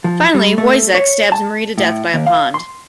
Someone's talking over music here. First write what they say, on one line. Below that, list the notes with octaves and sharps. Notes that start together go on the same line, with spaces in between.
Finally, Woyzeck stabs Marie to death by a pond.
F3
G3
A3
C#5
A5
A2
D#2
F5
C6